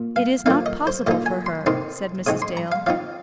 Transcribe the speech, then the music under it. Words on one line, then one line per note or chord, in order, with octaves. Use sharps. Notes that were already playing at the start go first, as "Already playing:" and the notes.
"It is not possible for her," said Mrs. Dale.
Already playing: A#2
F5
F3 A#3 D#4 F5
D#5
C5
A#2 A#3 D#4 D#5
G#5
C6
C3 D#3 C4 D#4 C6
C3 G#3 C4 D#4 D#6
C6
A#5
F5
F3 C4 D#4 F5